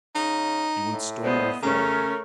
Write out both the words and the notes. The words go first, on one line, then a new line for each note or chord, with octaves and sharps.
He went stonily forward.
C#3 D#4
A2
C#2 B3 C5 D5 D#5
C#3 A3 C#4 A#4 C#5